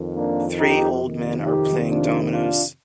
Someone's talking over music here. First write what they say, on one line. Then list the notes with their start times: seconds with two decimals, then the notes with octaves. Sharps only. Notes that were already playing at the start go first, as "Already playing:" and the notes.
Three old men are playing domino 's.
Already playing: F2 D#3
0.15 A#3 D4
0.58 D#4 G4
1.01 F2 C3 D#3
1.45 D#4 G4
1.88 D4 F4
2.31 D4 F4